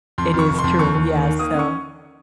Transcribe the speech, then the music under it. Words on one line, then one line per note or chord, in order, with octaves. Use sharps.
It is true. Yes, so
F2 C6
F2
C#6
F1
C6
F2
D#2 C#6
D#2
D#3
D#3
A#3 D#6
C#4
C#6